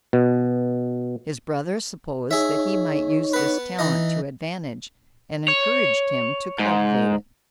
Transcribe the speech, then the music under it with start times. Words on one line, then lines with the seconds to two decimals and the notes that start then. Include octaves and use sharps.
His brother supposed that he might use this talent to advantage, and encouraged him to cultivate it.
0.13 B2
2.31 D#4 G#4 C#5 E5
3.33 B3 B4
3.79 E3 D#4 D#5
5.48 C#5
6.59 G#2